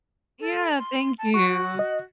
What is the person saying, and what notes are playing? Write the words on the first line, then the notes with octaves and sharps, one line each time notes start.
Yeah. Thank you.
A4
C6
A5
F#4 C#6
D#5